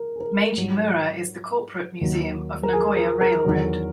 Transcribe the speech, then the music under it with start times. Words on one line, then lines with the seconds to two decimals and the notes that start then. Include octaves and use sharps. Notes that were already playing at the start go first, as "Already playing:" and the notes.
Meiji Mura is the corporate museum of Nagoya Railroad.
Already playing: A#4
0.16 G#4
0.21 A#4
0.56 G#2 F#3
2.01 D#2 D#3 F#3
2.63 A#4
2.73 G#4
2.97 A#4
3.21 A#4
3.45 E2 D#3 F#3